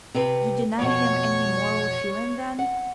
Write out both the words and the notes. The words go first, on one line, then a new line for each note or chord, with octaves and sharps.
You deny him any moral feeling then?
C3 C4 B4
F2 B2 C#5
F#5